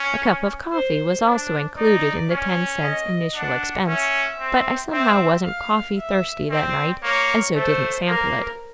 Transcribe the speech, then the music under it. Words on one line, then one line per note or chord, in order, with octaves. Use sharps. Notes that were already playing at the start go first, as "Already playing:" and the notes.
A cup of coffee was also included in the ten cents' initial expense, but I somehow wasn't coffee-thirsty that night, and so didn't sample it.
Already playing: C#4
C5
D4
D#4 D5
C#4
D#5
D4 F#5
C#4 E5
C4
C4 E5
F5
E5
C4 D5
A#3 C#5
A3 C5
A#3 A#4